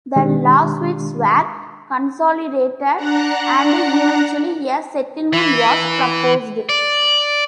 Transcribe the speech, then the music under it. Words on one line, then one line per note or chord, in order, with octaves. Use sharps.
The lawsuits were consolidated, and eventually a settlement was proposed.
B2 D#3 G#3 D4 G4
D4 F#5 A#5 F#6
E3
D5